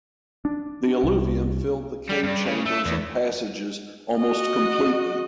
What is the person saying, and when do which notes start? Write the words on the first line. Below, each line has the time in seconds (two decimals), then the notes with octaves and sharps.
The alluvium filled the cave chambers and passages almost completely.
0.45 D4
1.04 C2
2.10 G3
2.23 G2
2.46 C#3
2.66 A3
2.86 E2
4.20 F#4 D#5